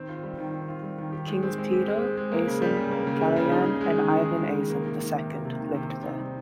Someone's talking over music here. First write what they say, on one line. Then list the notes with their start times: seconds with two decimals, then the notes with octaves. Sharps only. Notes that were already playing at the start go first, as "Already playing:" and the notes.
Kings Petar, Asen, Kaloyan and Ivan Asen the second lived there.
Already playing: D#3 C4
0.09 F4
0.23 G3
0.39 D#3
0.53 C4
0.68 F4
0.83 G3
0.98 D#3
1.12 G4
1.28 G#3
1.43 C4
1.58 G#3
1.73 G4
1.88 G#3
2.02 C4
2.17 G#3
2.31 A#3
2.47 C#3
2.62 G3
2.77 C#3
2.91 A#3
3.07 C#3
3.21 G3
3.36 C#3
3.51 D#4
3.66 G#4
3.81 G#3
3.96 D#3
4.11 D#4
4.25 G#4
4.41 G#3
4.55 D#3
4.70 A#3
4.85 C3
5.00 D#3
5.15 C3
5.30 A#3
5.45 C3
5.60 D#3
5.75 C3
5.90 C4
6.04 D#4
6.19 G3